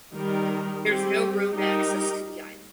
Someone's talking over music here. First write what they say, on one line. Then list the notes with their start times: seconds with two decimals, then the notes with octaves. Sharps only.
There is no road access to the island.
0.15 D#3 G3 D#4 A#4
0.84 G3 C4 G4
1.52 G3 D#4 G4 A#4